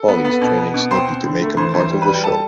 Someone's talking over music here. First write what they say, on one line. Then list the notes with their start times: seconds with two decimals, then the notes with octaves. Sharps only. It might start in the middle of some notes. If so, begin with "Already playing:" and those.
Polly is training Snoopy to make him part of the show.
Already playing: A4
0.08 B3
0.25 B3
0.42 B2
0.58 B3
0.74 B2
0.91 C4 C5 C6
1.08 C4
1.24 D3
1.42 A3
1.57 E3 C5 C6
1.74 E3
1.79 C5 C6
1.90 G3
2.02 B4 B5
2.08 G3
2.24 G3 A4 A5